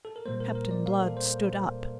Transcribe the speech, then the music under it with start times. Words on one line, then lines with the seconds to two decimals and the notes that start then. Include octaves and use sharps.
Captain Blood stood up.
0.05 A4
0.16 A#4
0.26 A#2 G3 A#3 C5
0.40 A#4
0.55 A#4
0.71 D5
0.86 F5
1.01 A4
1.17 C5